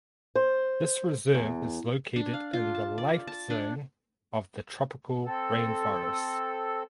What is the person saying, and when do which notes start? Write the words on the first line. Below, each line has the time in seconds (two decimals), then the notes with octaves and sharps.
This reserve is located in the life zone of the tropical rainforest.
0.36 C5
1.34 E2
2.16 D4
2.34 F5
2.53 F4
2.75 A5
2.98 D5
3.27 A5
3.50 D4
5.26 C4 A4